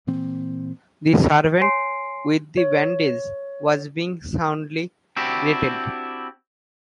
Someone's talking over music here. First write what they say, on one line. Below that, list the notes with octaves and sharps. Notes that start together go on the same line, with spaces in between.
The servant with the bandage was being soundly rated.
A#2 E3 A#3 C4
C#5 G#5 C6 C7 D7
C#5
C4 D4 E4 F#4 G4